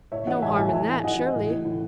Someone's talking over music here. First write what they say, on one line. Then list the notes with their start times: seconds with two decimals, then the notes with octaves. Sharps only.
"No harm in that, surely."
0.12 A2 C#5 E5
0.27 E3 D#5 F#5
0.42 A2 E5 G#5
0.58 A2 E5 G#5
0.73 E3 E5 G#5
0.89 E3
1.04 E3 D#5 F#5
1.19 E3
1.35 A2
1.50 E3
1.65 A2